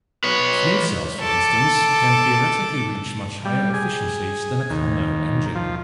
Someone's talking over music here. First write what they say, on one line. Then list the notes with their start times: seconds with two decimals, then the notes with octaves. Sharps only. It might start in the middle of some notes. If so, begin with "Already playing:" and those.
Fuel cells, for instance, can theoretically reach much higher efficiencies than a Carnot engine.
0.24 B4 C#5
1.20 A4 D6
3.45 G3
3.74 G#4
4.70 D#2
5.55 F3